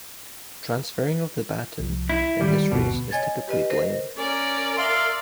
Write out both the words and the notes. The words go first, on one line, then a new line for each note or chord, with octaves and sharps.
Transferring of the baton in this race is typically blind.
C2 F3
E4
D#3 F3 G3 G#3
G1 D2 B2
C#5 D#5 G#5 G#6 A6
G4 B4 D#5
A#4 C5 D#5
C#4 A#4 D5
E5 F5 C6